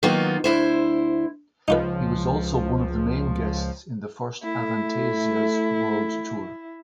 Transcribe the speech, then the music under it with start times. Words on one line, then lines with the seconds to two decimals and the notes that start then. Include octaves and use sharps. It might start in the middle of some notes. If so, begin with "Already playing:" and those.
He was also one of the main guests in the first Avantasia's world tour.
0.03 D#3 F#3 A#3 B3 D#4 F4
0.44 D2 E4 C5
1.68 C#2 F3 D#4 F4 B4
4.44 A3 E4